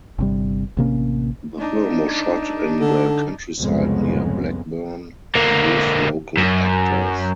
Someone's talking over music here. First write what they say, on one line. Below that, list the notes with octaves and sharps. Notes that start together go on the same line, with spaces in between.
The film was shot in the countryside near Blackburn and used local actors.
G1 C3 G3
A1 C3 A#3 C#4
D4 D#4
D3
C2 F2 G#2 C#3 G#3 B3
D3 A#3
F#2